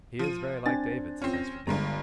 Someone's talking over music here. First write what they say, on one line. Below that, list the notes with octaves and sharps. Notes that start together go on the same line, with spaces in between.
'He is very like David!' said Mr. Dick.
F3 D#7
C4 D4 G#5 A6
C4 C#4 F4
A#6
G1 G2 G#3 A#5